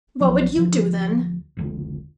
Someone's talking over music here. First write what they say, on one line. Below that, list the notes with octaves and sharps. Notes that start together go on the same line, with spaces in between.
"What would you do then?"
A#1 F3 F#3
D2 F3
F1 C#2 D3